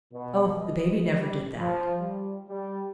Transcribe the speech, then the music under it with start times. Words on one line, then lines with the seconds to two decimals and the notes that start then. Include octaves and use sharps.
Oh, the baby never did that.
0.12 B2
0.59 D#5
1.13 G3
1.58 F3
2.00 G3
2.48 G3